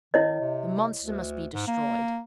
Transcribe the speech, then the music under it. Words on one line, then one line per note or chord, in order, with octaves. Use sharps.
"The monster must be destroyed."
D#3 E4 C#5 D#5
C3
D2
G#2
A#3